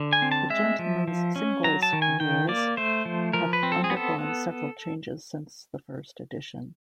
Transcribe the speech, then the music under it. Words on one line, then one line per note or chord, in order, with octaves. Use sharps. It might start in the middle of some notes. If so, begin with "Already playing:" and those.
The Gentlemen's Singles' rules have undergone several changes since the first edition.
Already playing: D3
G#5
C4
A5
G#3 E5
F3
F3
C#4
F#3 A#5
A5
D#3
G#5
D#3 G5
A#3 D5
A3 C5
F3
F3 A#4
B4
C4
A4
G#4
B3
A4
B3